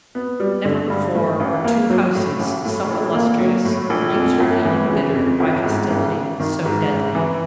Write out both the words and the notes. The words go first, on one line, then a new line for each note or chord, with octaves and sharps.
Never before were two houses so illustrious, mutually embittered by hostility so deadly.
B3
G3
D3
G2
A2
A1
A#3
F#3
A2
A1
A2
A#1
A#3
F#3
A2
A#1
F2
G1
E3
C#3
F2
G1
G#2
A1
A1
D#3
G#2
A1
E3